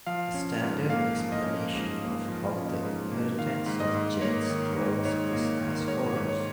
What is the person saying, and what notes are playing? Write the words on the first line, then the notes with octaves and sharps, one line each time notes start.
The standard explanation of how the inheritance of gens works is as follows.
F3 F5
C#4
G#2
A#3 F5
F3
D#5
C#4
G#2
A#3
F3
C#4
G#2
A#3
D#3 F5
G#2
D#5
G#2
A#3 C#5
D#3
G#2
G#2 C#5
A#3
D#3
G#2 C#5
G#2
C#5